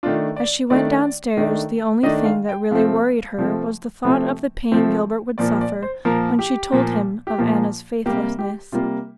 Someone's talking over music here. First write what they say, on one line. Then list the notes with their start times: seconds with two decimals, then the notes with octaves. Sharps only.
As she went downstairs, the only thing that really worried her was the thought of the pain Gilbert would suffer when she told him of Anna's faithlessness.
0.03 D#3 A3 D4 F4
0.36 D5
0.70 D#3 A3 D4 D5
1.37 D#3 A3 D4
2.03 D#3 A3 D4 D#5
2.26 F5
2.49 G5
2.71 C3 F3 A3 C4 F5
3.37 C3 F3 A3 C4
4.05 C3 F3 A3 C4
4.72 C3 F3 A3 C4
5.38 A#2 F3 A#3 D5
5.61 D5
5.83 C5
6.05 A#2 F3 A#3 A#4
6.39 G4
6.72 A#2 F3 A#3
7.27 G4
7.38 A#2 F3 A#3 F4
8.06 C3 G3 A#3 G4
8.39 G4
8.72 C3 G3 A#3 F4